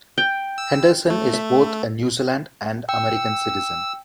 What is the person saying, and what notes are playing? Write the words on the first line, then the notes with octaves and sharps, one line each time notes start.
Henderson is both a New Zealand and American citizen.
G5
E6
A3
E5
G5 E6